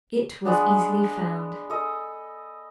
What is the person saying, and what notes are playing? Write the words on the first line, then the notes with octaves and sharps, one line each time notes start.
It was easily found.
G#3 B3 D4
A4 D#5